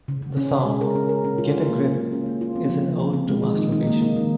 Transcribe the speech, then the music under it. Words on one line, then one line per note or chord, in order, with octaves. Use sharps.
The song "Get a Grip" is an ode to masturbation.
C#3
C#3
C#4
C#3
G#3
A#4
C#4
A#4
C#4
F4
F4
A#3
F#3
C#4
C#4
A#3
F4
C4
F3
F3
F3
C4
G#3
D#3
D#4
D#4
A#3
D#4
D#3